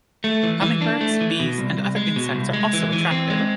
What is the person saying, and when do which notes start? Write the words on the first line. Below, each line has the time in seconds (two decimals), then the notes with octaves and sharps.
Hummingbirds, bees and other insects are also attracted.
0.24 A3
0.43 E3
0.62 E3
0.81 D4
1.01 A3
1.21 E3
1.40 B2
1.58 C2
1.77 C2
1.96 G#3
2.16 B2
2.35 C2
2.53 G#3
2.73 E3
2.93 E3
3.11 C4
3.30 G#3